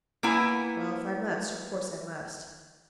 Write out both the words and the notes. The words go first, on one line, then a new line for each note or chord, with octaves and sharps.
Well, if I must, of course I must.
A#3 B3 E4 G#5